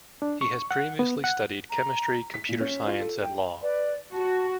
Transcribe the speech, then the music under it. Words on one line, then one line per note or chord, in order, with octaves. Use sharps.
He has previously studied Chemistry, Computer Science and Law.
D4
C#6
F#5
B3
F#5
A#5
B6
A#2
C#4
F4
A4
G5
B4 D5
F#4 A5